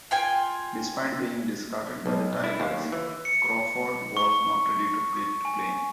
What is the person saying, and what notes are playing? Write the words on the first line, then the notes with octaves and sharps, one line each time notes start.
Despite being discarded by the Tigers, Crawford was not ready to quit playing.
F4 G5 G#5
B1
E4
D#2
E3
C#7
C#6
G#5